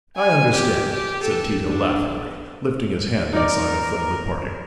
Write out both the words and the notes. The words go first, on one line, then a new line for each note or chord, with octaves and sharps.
"I understand," said Tito, laughingly, lifting his hand in sign of friendly parting.
G#5
G4
G4
A4
D4
D#4 A#4 D5